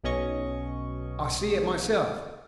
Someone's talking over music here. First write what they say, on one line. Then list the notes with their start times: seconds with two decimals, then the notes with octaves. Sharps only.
"I see it myself."
0.04 B1 B2 C#4 D#5 C#6